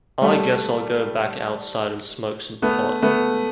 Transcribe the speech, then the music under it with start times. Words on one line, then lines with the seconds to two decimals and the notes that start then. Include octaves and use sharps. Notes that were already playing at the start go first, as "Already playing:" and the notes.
I guess I'll go back outside and smoke some pot.
0.22 G3 A3
2.62 A3 B3
3.02 A3 B3